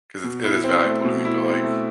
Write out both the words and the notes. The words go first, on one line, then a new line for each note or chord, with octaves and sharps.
'cause it's it is valuable to me, but, like,
B2
E4
C4
A3
B2
E4
C4
A3